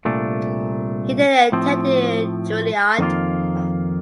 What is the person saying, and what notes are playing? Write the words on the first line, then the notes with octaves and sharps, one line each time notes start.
He then attended Juilliard.
C2 A#2 A3 D4
A2 F3 C4
F2 D#3 A#3 F4